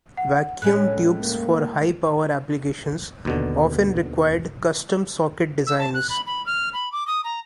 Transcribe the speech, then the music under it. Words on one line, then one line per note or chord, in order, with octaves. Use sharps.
Vacuum tubes for high-power applications often required custom socket designs.
F#5
A2 G#3 C#4 F#6
A#3
D#2 B2 D3
E6
A5
F#6
B5
B5
F6
B5
D6
D#6
A#5